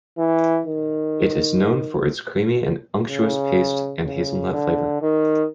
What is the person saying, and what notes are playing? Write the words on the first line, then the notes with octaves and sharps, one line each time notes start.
It is known for its creamy and unctuous paste and hazelnut flavour.
E3
D#3
C#3
C#3
D3
D#3